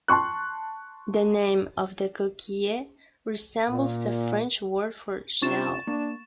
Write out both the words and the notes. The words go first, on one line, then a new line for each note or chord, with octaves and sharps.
The name of the Coquille resembles the French word for "shell".
A5 C6 C#6 F#6
A#2
C3 C#4 D4 F4 C#6 A6 E7
A#3 D4